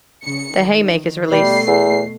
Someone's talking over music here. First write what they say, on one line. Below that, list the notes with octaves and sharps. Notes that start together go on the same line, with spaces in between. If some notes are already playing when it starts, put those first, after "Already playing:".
The Haymakers release.
C#3 C#7
D#3
B2 G3 A3 C7
E2